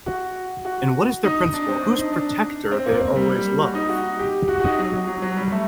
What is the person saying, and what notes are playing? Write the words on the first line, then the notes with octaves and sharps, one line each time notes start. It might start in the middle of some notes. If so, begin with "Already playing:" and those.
And what is their principle, whose protector they always 'love'?
F#4
F#4
D#4
D4
C4
D4
D#4
D4
C4
A#3
A#3
G3
G3
F#4
D#4
F#4
G4
F#4
F#4
D#4
F#3
F#3
F#3
G3
A3